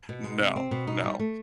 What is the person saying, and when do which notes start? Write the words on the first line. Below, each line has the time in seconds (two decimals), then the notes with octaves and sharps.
No, no,
0.09 B2
0.24 G#3
0.40 C3
0.56 C4
0.71 B2
0.87 D#4
1.04 G3
1.19 A3